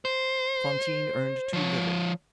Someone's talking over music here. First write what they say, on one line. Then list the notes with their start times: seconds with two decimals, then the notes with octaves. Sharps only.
Fantine earned too little.
0.05 C5
1.53 F3 C#5